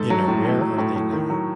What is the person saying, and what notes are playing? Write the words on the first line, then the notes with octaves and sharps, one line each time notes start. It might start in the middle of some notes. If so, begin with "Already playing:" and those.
In a Where Are They Now?
Already playing: G#2 A4
F#3
A2
A2
F#3
A2
A2
D#3
F#3